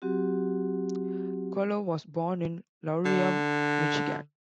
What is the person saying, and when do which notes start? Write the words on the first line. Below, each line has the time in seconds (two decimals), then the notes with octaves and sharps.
Quello was born in Laurium, Michigan.
0.02 F#3 C4 F#4 G4
3.05 D3